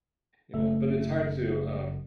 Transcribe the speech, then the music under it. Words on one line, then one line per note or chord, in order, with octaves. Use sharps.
you know, but it's hard to, um,
F#1 A3 E5